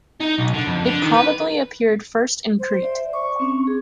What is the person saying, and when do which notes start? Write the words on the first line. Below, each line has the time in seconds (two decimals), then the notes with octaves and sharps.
It probably appeared first in Crete.
0.21 D#4
0.38 B1
0.54 D3
0.67 F2
0.84 D3
1.02 D#3
1.14 B4
2.59 C5
2.83 D5 E5
3.13 C#6 D6
3.40 C4 C#4
3.67 G#4